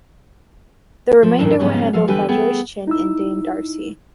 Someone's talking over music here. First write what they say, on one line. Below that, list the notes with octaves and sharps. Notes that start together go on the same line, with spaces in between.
The remainder were handled by Joyce Chin and Dame Darcy.
F3
F#2 A2 D#3 E3
F2 G#2 C#3 G3 B3 C#4
F3 A3 F5
E2 D3 G3 G4 B4 G#5
A3 B3 G#4 G5
D#4 E4 E6